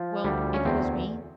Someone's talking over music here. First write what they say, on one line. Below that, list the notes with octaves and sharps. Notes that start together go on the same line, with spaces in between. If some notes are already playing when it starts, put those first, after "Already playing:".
Well, if it was me,
Already playing: F3
D2 G3
C#4
E2 C4